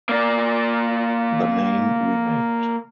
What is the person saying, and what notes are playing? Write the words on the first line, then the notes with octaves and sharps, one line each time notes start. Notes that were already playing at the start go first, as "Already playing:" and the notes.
The name remained.
A#3 D5